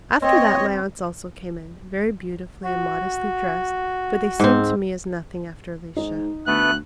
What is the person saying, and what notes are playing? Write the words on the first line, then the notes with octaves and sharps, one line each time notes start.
After that my aunts also came in, very beautifully and modestly dressed, but they seemed to me as nothing after Alicia.
C4 C#5 D#5
F#4
G#2 C4
G#2 D#4
D2 A3 B3 B4 F#6